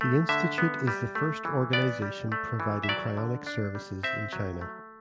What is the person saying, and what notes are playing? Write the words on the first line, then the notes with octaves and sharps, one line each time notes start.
The institute is the first organization providing cryonics services in China.
A3
D3 E5
B3
G3
A3
E3
B3 D5
G3
A3
E3
E5
F#3 D5
D3
D4
G3
C4 E5
F#3
A3